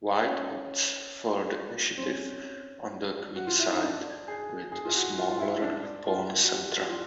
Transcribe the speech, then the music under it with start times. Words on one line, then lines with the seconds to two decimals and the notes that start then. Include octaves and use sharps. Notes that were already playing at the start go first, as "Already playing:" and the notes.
White opts for the initiative on the queenside with a smaller pawn center.
0.22 C#4
1.98 C4
2.02 C#4
3.36 F#4
3.47 F4
3.59 E4
3.70 D#4
3.82 D4
4.28 G#4
4.72 G#4
4.85 F4
4.95 F#4
5.17 F4
5.31 F4
5.39 E4
5.62 D4
6.07 F4
6.44 F#4
6.53 G4
6.89 F4